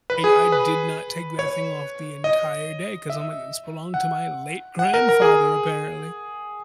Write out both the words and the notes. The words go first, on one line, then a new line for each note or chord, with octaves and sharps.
I I did not take that thing off the entire day 'cause I'm like, "This belonged to my late grandfather, apparently."
B4
G#4
B4
C#5
D#5
E5
F#5
F#5
A#4
A#4
G#4